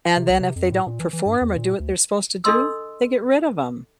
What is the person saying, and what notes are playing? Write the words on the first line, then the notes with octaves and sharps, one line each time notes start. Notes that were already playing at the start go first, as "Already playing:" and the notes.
and then if they don't perform or do what they're supposed to do, they get rid of 'em,
C3
C2
C3
F2
A2
A#2
E3
E3
G2
E2
A#2
D2
D4 A4 D#5 C6 E6